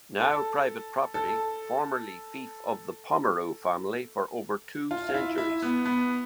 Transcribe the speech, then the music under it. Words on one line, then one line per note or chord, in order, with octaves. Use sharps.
Now private property, formerly fief of the Pomereu family for over two centuries.
A4
A4
F4
F4
E4
E4
B3
B3